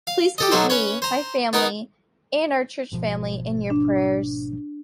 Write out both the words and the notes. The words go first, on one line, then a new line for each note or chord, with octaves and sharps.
Please keep me, my family and our church family in your prayers.
F5
G4 A4 D#5
B1 F#3 D#4 A4 C5
C#4 B4 C#5
C5 A#5
B3 D#4 A#4 B4
G#1 B2 F3
D4